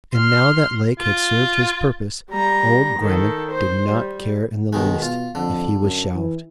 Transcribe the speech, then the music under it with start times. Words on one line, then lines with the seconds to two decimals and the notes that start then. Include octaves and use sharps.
And now that Lake had served his purpose old Grammont did not care in the least if he was shelved.
0.14 C6 F6
0.99 F4
2.31 G3 A#5
2.99 D#3 A4
3.51 C5
3.88 G3
4.73 B1 B2 D#3 G#3
5.02 B2 F4
5.35 F2 D3
5.81 F#2
6.15 E3